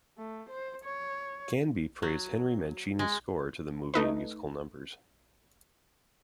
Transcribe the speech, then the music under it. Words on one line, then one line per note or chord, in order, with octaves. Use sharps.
Canby praised Henry Mancini's score to the movie and musical numbers.
A3
C5
C#5
F#3
G#3
A3 D#4 B4